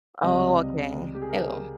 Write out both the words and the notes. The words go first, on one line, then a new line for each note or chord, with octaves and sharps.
Oh, okay. Ew.
C#2 C3 G3 D#5
G4
G#4
A#4